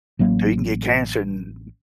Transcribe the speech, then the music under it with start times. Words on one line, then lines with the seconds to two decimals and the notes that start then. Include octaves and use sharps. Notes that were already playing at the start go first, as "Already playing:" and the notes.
So you can get cancer n
0.19 A1 F#3 A#3